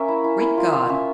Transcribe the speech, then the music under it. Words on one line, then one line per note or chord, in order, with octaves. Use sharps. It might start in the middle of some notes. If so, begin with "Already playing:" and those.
Great God!
Already playing: A#3 C#4 A#4 E5
E4
E4
E4
F4
F4
C#4 E5